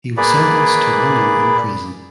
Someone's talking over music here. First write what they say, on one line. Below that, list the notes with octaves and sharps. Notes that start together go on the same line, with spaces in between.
He was sentenced to one year in prison.
A#3 G#4 B4 D5